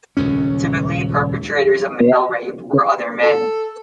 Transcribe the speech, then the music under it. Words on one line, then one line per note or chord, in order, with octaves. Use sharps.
Typically, perpetrators of male rape were other men.
D#1 C#2 F#2 C#4
A4